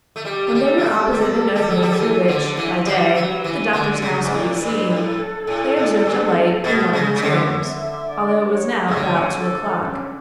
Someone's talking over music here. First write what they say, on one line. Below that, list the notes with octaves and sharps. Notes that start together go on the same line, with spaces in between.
When they were opposite an opening through which, by day, the doctor's house could be seen, they observed a light in one of his rooms, although it was now about two o'clock.
A3
G3 G4
A3
G3
A4
F#3
G3
G3
G3
F#3
G3
F#3
E3
D3
E3
G3 B4
F#3
B4
E3
D3 D5
C#3
D5
G2
A2
G2 B4
A2
A4
A2
A2
G2
B2
C#3
C#3
D3 C#5
E5
D5
C#5
C#3
D3 C#5
A4
C#4